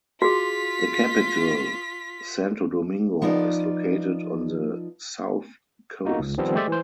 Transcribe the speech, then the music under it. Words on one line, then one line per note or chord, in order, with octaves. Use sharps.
The capital, Santo Domingo, is located on the south coast.
F4 F#4 G#4 B6
F3 B3 D#4 F4 D5
A#3 D#4 F#4
C#2
D#3 F3 G3 B3 C4
G#3 A3 G4 C5 D5 E5
E3 C5